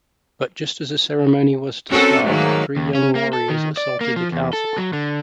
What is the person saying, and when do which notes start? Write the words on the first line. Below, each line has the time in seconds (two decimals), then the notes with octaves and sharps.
But just as the ceremony was to start, three young warriors assaulted the castle.
1.89 C4 C#4 F#4 A4 A#4 C5
2.23 G#2 D#3 F#3 A3 A#3
2.77 D#2
2.95 C#4
3.15 A#3
3.33 A4
3.49 D#3
3.77 D5
4.01 A#3
4.16 F3
4.32 E2
4.53 A4
4.78 F#3
4.93 D3